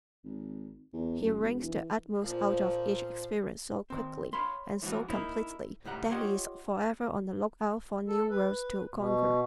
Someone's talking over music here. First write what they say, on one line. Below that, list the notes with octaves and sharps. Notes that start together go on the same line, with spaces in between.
He wrings the utmost out of each experience so quickly and so completely that he is forever on the lookout for new worlds to conquer.
G#1
E2
F#1
E1
E3
A#2 F3
D#3 C4
C#5 F5 B5 C6
E3 F3 G#3 F4 F#4
A#3 D#4 E4
C#2 A2 G3 F#5 A#5
F4 G4 C#5 D#5 F#5
A4
B4
B2